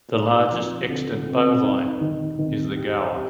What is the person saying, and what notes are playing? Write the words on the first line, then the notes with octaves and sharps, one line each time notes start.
The largest extant bovine is the gaur.
D#4
F3
D3
C4
D#4
D#3
D#3
G4
G4